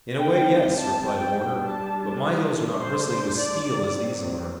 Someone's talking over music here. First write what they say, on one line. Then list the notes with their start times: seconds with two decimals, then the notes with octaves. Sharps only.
"In a way, yes," replied Warner, "but my hills are not bristling with steel as these are."
0.19 G3 C4 G5
0.77 A5
1.05 G5
1.34 G3 D4
1.63 A5
2.50 G3 D4
2.80 C5
3.08 C5
3.37 D5
3.66 F#3 C4